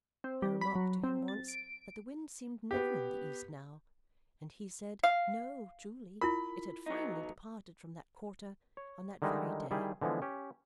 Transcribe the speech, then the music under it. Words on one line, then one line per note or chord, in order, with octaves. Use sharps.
I remarked to him once that the wind seemed never in the east now, and he said, no, truly; it had finally departed from that quarter on that very day.
C4
G3
B5
F#3
C4
A6
D7
B3 G4
F5
E4 F4 A#4 B5
F#3 D#4
C#5
D3 D#3 G3 G#3 D#4 E4
D#3 G3 E4 G#4
D3 E3 F3 G#3 B3
C#4 G4